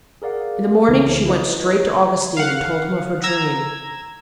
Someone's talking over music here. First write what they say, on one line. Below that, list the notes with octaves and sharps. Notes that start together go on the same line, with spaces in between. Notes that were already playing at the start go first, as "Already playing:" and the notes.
In the morning she went straight to Augustine and told him of her dream.
G#4 A#4 D5 F5 F#5
C2 C#3 E3 B3 D#4
E4 B4 D#5
D5 G#6
F5 F#5
A#5 E6 G#6